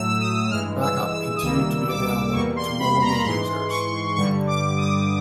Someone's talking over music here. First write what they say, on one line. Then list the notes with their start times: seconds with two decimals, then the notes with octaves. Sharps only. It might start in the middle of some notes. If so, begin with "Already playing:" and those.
Backup continued to be available to MobileMe users.
Already playing: A2 F#3 A3 E6
0.20 D#6
0.50 G2 E3 G#3 F6
0.81 E6
1.12 E6
1.36 D#6
1.42 C#2 C3 D#3 G3 A#3 E6
1.88 D6
2.33 E2 B2 G3 A#3 C#6
2.56 C6
2.79 B5
3.02 A#5
3.24 G#2 E3 G#3 C6
3.70 C#6
4.16 G2 D3 G3 C#6
4.47 D6
4.77 D#6